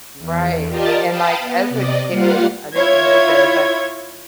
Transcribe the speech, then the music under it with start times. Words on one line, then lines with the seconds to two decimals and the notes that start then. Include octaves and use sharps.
Right, and, like, as a kid, I didn't live there, but
0.19 E2
0.68 F4 G4 A#4 D5 D#5 A5
1.07 F5 G5 A5 B5 D#6
1.39 B3
1.69 C3 D5 D#5
2.10 G3 A#3 F4 F5 F#5
2.74 E4 F4 C#5 G#6